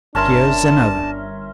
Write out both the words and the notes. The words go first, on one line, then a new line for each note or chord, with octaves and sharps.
"Here's another."
G1 C#4 D4 A#4 E5 A5 C6